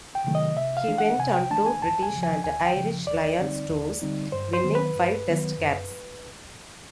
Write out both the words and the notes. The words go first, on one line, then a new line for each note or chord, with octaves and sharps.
He went on two British and Irish Lions tours, winning five test caps.
G5
C3 D#3 F#3 A3
D#5
C3 E5
F5
E3 A3 D4
F#5
C3 G#5
G5
E3 A3 D4 A5
G#5
D2 A5
G#5
C#3 F3
G#5
D2 G#5
G5
C#3 F3
D#2 D5
D3 G3 C4 D#4
D#2
D3 G3 C4 D#4
G2 C5
C5
D#3 F#3 B3
B4
G2
D#3 F#3 B3
F#2